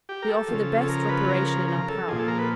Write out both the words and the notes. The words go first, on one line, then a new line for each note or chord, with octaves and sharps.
We offer the best reparation in our power.
G4
A#4
A4
C#3 F3
A4
A#4
B4
A#4
A#4
A#4
A4
A#2 F3 G#4
A4
A#4
B4